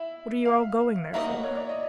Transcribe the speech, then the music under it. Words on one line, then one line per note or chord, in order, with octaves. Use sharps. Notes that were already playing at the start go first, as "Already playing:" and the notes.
"What are you all going there for?"
Already playing: E4 E5
F5
A#3 D#4 F#4 B4 D#5 E5
C#5
D5
D#5